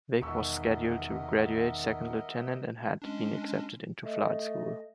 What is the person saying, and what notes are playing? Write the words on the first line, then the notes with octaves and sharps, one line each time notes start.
Vic was scheduled to graduate second lieutenant and had been accepted to flight school.
E1 D#3 A#4 D#5 E5 F#5 C#6 E6
G#3 C#4 D4
A3 D#5